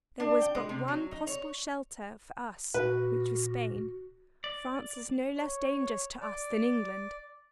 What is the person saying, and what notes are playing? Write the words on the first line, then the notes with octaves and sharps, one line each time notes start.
There was but one possible shelter for us, which was Spain. France is no less dangerous to us than England.
D4
G5
G#3
C3
F#3
D#4
C#5
A#2 F#4 B4
D5
C#5
D5